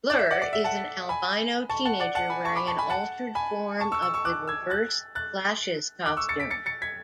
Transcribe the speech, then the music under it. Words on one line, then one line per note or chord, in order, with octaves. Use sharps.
Blur is an albino teenager wearing an altered form of the Reverse Flash's costume.
D5
E5
D5 F#5
D5
E5
F#5 A5
G#5 B5
A5 C#6
F#5 A5
D5 F#5
F#5 A5
G#5 B5
A5 C#6
B5 D6
A5 C#6
G#5 B5
F#5 A5
G#5 B5
A5 C#6
C#6 E6
C#6 E6
C#6 E6
D6 F#6
E6 G#6
F#6 A6
F#6 A6
D6 F#6
C#6 E6
A6 C#7
B6 D7
A6 C#7
A6 C#7
G#6 B6